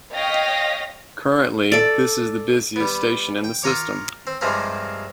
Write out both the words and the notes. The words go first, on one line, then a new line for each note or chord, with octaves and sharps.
Currently, this is the busiest station in the system.
C#5 D#5 F5 G5 A#6 B6
A4 D5
G3 B3
G5
F4 A#4 C#5 D6
C4
G2 C3 F3 G#3 A#3 C4